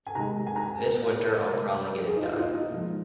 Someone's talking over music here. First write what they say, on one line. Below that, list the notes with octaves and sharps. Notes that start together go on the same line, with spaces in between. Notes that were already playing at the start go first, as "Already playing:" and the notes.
This winter, I'll probably get it done.
G#5
C3 D#3 G#3 A#5
G#5
A#5
G#5
A#4
A#4
C3 G#3 A#4
G#4
D#4
F4
D#4
F4
D#4
A#2 F3 G#3